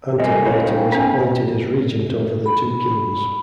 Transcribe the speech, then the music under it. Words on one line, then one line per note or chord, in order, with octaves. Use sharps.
Antipater was appointed as regent over the two kings.
G#2 G3 A#3 A4 D#5 G#5
C#3 D#4 E4 C#5
C5 G5
B3 C#4 C5 F5 G#5
B5